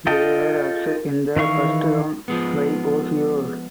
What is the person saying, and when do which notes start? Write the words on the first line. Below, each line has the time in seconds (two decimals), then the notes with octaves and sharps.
They were upset in the First Round by Ohio.
0.07 F4 A4 D#5 G5
1.36 D#3 E3 F5 C#6
2.28 F3 G#3 B3